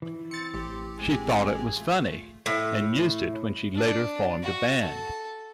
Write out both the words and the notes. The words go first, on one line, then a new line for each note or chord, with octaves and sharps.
She thought it was funny, and used it when she later formed a band.
E3
C4 A6 C#7
A1 C4 G4
G#3 C4 G4 G#4
A3 F4
A2
D4
F#4
A4